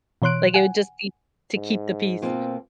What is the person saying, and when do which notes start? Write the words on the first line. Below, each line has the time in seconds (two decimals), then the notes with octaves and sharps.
Like it would just be to keep the peace.
0.22 B2 E3 C#5 C6 F#6 D7
0.54 F#5 G#5
1.55 G#2
2.22 B2 A#3 C4 F4